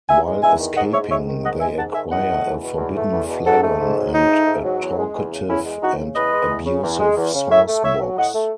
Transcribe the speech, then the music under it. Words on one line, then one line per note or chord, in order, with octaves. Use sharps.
While escaping, they acquire a Forbidden Flagon and a talkative and abusive Sauce Box.
E2 E5 G#5
G#3
E2 E5 G#5
D#3
G#2 D#5 F#5
G#3 C#5 E5
G#2 C#5 E5
D#3
G#2 D#5 F#5
G#3 E5 G#5
G#2 F#5 A5
D#3 E5 G#5
E2 D#5 F#5
A3
E2
B2
E2
A3
E2
B2
G#2 F#4 A4
A3
G#2
F#3
G#2 D#4
A3
G#2
F#3
E2
G#3
E2
C#3
E2 C#4 E4
G#3
E2 D#4 F#4
C#3
E2 B4 D#5
G#3
E2
C#3
E2
G#3
E2
C#3
A2 C#5 E5
A3
A2 C#5 E5
F#3
A2 D#5 F#5
A3